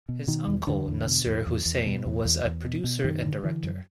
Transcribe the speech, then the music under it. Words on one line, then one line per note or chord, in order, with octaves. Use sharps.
His uncle Nasir Hussain was a producer and director.
B2
B2 D#3
E2
E2 D3
E2
B2
E2
E2
E2
B2
E2
E2
E2
B2
B2
F#2 D#3
D3
D3 E3
F#2